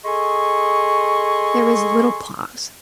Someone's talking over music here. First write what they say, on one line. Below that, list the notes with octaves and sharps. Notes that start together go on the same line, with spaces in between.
There was a little pause.
G#4 A4 D#5 G#5 C6 C#6